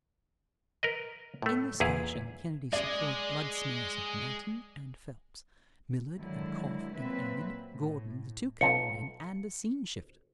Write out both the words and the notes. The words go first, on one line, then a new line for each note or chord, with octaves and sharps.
In this fashion Kennedy secured blood smears of Manton and Phelps, Millard and Kauf and Enid, Gordon, the two camera men, and a scene shifter.
A#4 B4 D#5
A2 A3
E2 A#2 E4 G#4 F5
G#3 G#4 D5
G#2 D3 D#3 F#3 E4
A#2 F#3 C4 B4 E5
A2
B1 F4 A4 C#7